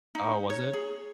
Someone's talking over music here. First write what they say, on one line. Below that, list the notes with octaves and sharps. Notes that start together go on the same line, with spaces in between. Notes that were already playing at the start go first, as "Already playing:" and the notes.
Oh, was it?
D#4
C#5
G#4